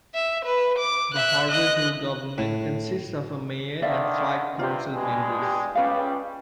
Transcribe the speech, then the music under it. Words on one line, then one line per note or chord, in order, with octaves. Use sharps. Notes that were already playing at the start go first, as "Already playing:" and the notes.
The Harveyville government consists of a mayor and five council members.
E5
B4
D6
E5 F#6
D#5 F#6
A2
D3 D#3 D5 E5 F5
G2 C3 F4 G4
G2 B2 G#3
G4
C#2 G3 C#4 B4 F5